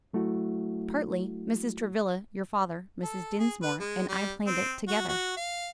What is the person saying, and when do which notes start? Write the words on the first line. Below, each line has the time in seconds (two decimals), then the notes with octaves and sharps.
"Partly, Mrs. Travilla; your father, Mrs. Dinsmore, and I planned it together."
0.13 F#3 A3 E4 F#4
3.04 A4
3.40 G#4
3.63 B4
3.80 G#3
4.09 G3
4.47 C4
4.88 F#4
5.09 F#4
5.37 F5